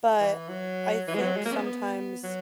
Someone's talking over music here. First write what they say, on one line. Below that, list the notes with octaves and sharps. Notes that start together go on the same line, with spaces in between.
but, I think sometimes
E3
F#3
E3
G#3
F#3
G#3
A#3
C#4
B3
B3
F#3